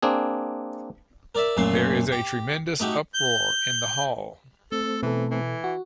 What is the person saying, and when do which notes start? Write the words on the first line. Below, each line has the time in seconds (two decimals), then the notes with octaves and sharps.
There is a tremendous uproar in the hall.
0.03 A#3 C4 D4 G#4
1.35 A#4 D5 E5
1.57 F#2 A#2 A3 A#3 C6
2.12 G4
2.80 A3 D#4 F#4 G4
3.14 G6
4.72 A3 C4 A4
5.03 B2 E3 A4
5.31 E3
5.64 F#4